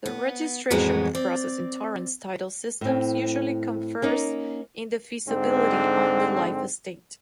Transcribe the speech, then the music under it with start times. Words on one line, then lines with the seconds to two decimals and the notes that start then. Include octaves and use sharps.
The registration process in Torrens title systems usually confers indefeasibility on the life estate.
0.06 B3
0.71 F2 A2 E3 F#3 G#3 B3
1.15 C4 D5
2.81 A2 C4
4.02 A#3 C#4 D#4
5.27 G#2 D3 C4